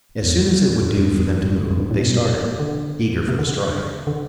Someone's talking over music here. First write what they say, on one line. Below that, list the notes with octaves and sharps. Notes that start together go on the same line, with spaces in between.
As soon as it would do for them to move, they started, eager for the strife.
E2
F#2
F#2
E2
F#2
G2
A2
B2
D3
C3
D3
D3